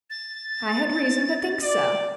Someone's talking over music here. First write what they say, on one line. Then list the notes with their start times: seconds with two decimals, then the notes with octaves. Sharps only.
"I had reason to think so."
0.10 A6
1.62 D5